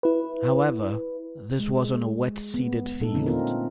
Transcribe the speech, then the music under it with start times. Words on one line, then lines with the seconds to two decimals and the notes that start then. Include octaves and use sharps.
However, this was on a wet-seeded field.
0.03 E4 B4
1.59 G#3
2.54 B3
3.00 A#2 A3 D#4 A4
3.14 D3 C4 C#4 D#4
3.26 A#3 C4 D#4 F4 A#4